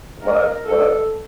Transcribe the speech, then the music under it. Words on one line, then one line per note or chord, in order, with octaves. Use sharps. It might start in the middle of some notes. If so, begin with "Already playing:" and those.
what I've what I've
A#4
A4